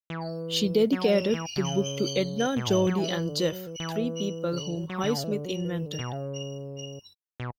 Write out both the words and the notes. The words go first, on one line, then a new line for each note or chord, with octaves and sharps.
She dedicated the book to "Edna, Jordy and Jeff"-three people whom Highsmith invented.
E3
F#3
E3
D3
C#3
B2
A2
G#2
F#3
E3
F#3
E3
D3
E3
F#3
E3
E3
C#3
D3
F#3
F#3
D3
C#3
E3
D3
F#3
E3
D3
B2
C#3
B2